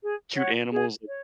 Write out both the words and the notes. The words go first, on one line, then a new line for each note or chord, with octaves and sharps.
cute animals tha
G#4
C#5 F#5
G#4
C#5